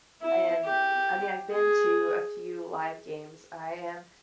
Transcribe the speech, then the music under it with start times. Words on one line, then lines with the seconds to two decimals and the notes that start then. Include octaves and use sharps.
and, I mean, I've been to a few live games. I am
0.22 E4
0.65 G4
1.50 G#4